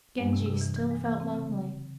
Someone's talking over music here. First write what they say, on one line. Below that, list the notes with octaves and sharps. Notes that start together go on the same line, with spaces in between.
Genji still felt lonely.
G2 G#3
C3
C3
E3
E3
G#3
E3
C4
C#3